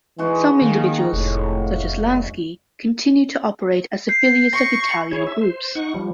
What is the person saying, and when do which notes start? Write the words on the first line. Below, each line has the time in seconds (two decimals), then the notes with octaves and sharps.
Some individuals, such as Lansky, continued to operate as affiliates of Italian groups.
0.18 E3 G#3 D#4 F#4
0.62 D#3 A#3
1.13 F1 A2
4.09 G6 C7
4.53 C#6 A#6
5.11 E4 G#4 C#5
5.27 E5
5.41 C5
5.75 D#4 F#5 C#6
5.94 F3 G3